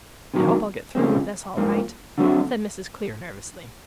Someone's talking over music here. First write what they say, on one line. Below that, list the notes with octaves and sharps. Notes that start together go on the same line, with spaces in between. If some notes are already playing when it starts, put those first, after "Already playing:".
"I hope I'll get through with this all right," said Mrs. Clear nervously.
C3 D#3 F#3 A#3
C#3 F3 G#3 C4
G#2 F3 A#3
D3 F#3 A3 C4